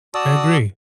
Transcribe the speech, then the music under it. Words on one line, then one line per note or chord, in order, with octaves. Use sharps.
I agree.
F#4 D5 A5 D#6 E6